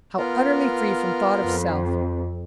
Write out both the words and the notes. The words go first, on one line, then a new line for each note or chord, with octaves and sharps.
How utterly free from thought of self!
B3 F4 A#4
F2